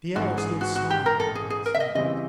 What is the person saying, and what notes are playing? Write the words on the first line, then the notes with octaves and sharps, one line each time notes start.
Pierre stood smiling but silent.
A1 G#2 E3 F#4
G#4
F#4
F#4
G4
A#4
A4
G#4
G#4
A#4
E5
D#5
C#3 E3 G3 C4 E4 D#5